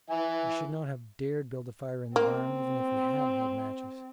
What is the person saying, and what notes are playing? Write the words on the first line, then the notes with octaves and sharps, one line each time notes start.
We should not have dared build a fire in the barn, even if we had had matches.
E3 E5 G#5
A#3 C4